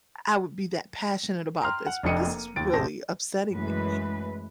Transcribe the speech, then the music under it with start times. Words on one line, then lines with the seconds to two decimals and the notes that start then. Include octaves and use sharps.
I would be that passionate about this, but this is really upsetting me,"
1.61 G5 A#5 C6 F6
1.86 F#5
2.03 F1 F2 D4 D#5 C#7 D#7
2.27 A#3
2.56 D#2 A6 D7
2.73 A1 C3 C5 A5 A#6
3.52 F#2 E3 G#3 A3 B4